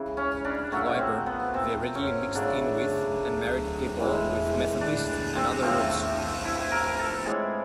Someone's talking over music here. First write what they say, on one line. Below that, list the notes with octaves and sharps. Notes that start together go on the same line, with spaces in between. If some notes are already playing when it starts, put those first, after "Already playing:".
However, they readily mixed in with and married people with Methodist and other roots.
Already playing: C#3 E3
C#4
D4
A#2 F#3 A3 C#4
C4
B3
C4
C#4
C#3 F#3 A3 D4
A2 E3 G#3
D4
C4
A2 F3 A3 C4
E4
A#4
A4
A2 E3 G#3 G#4